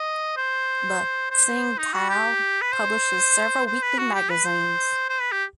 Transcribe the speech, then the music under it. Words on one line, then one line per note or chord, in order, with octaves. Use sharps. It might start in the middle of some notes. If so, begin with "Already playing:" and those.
The "Sing Tao" publishes several weekly magazines.
Already playing: D#5
C5
C5
D#4
F#4
G4
B4
C5
C5
B4
F#4
G4
B4
C5
C5
B4
G4